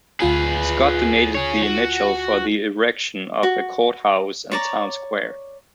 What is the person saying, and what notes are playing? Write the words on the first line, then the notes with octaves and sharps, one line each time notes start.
Scott donated the initial for the erection of a courthouse and town square.
D2 F4 G#4 B4 G#5
G#4 C#5
F#4
F#4
C#5 D5 A#5